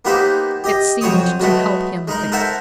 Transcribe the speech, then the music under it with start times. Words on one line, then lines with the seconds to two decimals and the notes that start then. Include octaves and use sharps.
It seemed to help him think.
0.05 A#3 B3 D#4 G4 B4 C5
0.64 G4 D#5
1.01 F2 F#3 C5 C#5 C#6 D#6
1.40 F#3 G#3 A3 B3
2.08 G#3 D#4 A#4
2.32 A4 A#4 C5 E5 F#5